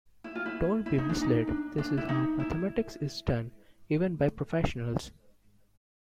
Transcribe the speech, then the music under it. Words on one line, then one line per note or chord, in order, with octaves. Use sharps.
Don't be misled; this is how mathematics is done, even by professionals.
E4
F4
E4
E4
D#4
D4
D#4
D4
D4
E4
D#4
E4